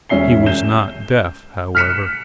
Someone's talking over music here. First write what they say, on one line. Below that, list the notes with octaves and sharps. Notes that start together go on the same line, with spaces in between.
He was not deaf however.
E1 C#4 E5 C7 G7
G6 E7 G7
F6 F#6 B6 C#7 E7